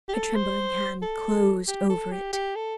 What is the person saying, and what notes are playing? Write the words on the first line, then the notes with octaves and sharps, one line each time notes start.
Her trembling hand closed over it.
G4
A4
C5
A4
G4
A4
G4
G4
A4